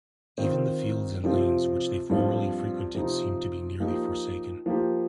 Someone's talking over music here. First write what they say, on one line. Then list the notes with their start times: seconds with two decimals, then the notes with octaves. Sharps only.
Even the fields and lanes which they formerly frequented seem to be nearly forsaken.
0.38 D#3 C4 F4
1.23 C3 F3 C4 F4
2.10 G2 F3 C4 F4
2.95 C3 F3 D#4
3.80 F3 A#3 D#4 G4
4.66 F3 A#3 G4